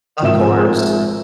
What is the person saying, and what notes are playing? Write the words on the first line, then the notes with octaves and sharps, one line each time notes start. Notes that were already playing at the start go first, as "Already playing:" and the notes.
Of course.
G#1 F3 C4 A#4 E5 E7